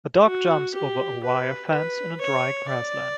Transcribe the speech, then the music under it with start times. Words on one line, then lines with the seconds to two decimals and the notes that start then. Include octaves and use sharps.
A dog jumps over a wire fence in a dry grassland.
0.25 F#4
0.75 G4
1.24 B4
1.71 B4
2.21 C#5
2.70 D5